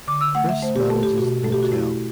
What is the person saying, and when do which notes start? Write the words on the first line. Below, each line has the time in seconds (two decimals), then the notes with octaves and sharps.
Chris manages the motel.
0.08 D3 D6
0.21 E6
0.35 A3 F#5
0.49 E5
0.62 A3 C5
0.76 G4
0.89 A3 A4
1.03 G4
1.18 B2 F#4
1.43 A3 A4
1.52 G4
1.63 F#4
1.72 A3 E4